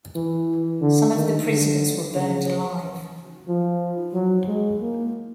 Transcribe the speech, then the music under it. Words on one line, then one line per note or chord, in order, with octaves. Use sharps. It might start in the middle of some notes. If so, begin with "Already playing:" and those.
Some of the prisoners were burned alive.
E3
D3
D#3
D3
C#3
F3
F#3
G#3
A#3